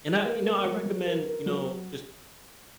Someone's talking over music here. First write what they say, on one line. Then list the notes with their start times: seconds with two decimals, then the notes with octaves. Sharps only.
And I you know, I recommend, you know, just
0.25 A#3
0.45 A#3
0.65 F#3
0.86 F#3
1.06 A#4
1.26 A#4
1.46 F#3